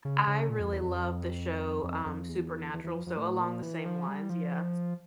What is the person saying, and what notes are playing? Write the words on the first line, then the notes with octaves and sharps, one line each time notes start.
I really love the show, um, Supernatural, so along the same lines, yeah, s
C#3
C#3
A#2
F2
E2
F2
F2
F2
E2
E2
E2
F2
F2
A2
A#2
E3
F3
G3
F3